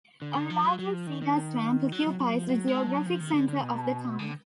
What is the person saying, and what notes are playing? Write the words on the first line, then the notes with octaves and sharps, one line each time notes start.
A large cedar swamp occupies the geographic center of the town.
D3
D3
F3
F#3
F#3
F3
D#3
D#3
F#3
F#3
F#3
F3
F#3
G#3
F#3
F3
D#3
D3
D3
B2
D3